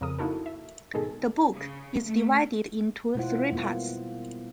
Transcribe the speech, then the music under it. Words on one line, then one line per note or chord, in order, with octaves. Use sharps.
The book is divided into three parts.
F2 C#3 A#4 D#6
A#3 D#4 E4 F#4 A4 A#4
E5
G#2 B2 D#3 G#4 A4
C#3
A3
B2 G#3 E4 F4 C5 F#5
G3 A#3 B3 F4